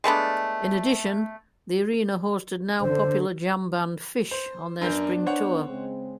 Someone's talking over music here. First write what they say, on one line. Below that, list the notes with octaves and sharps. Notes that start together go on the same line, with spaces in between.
In addition, the arena hosted now popular jam band Phish on their spring tour.
G#3 A3 B3 D4
D3 C5
C5
F#2 B3 D4 A#4 G6
C5 C#5 F#5
C#3 G#3 C4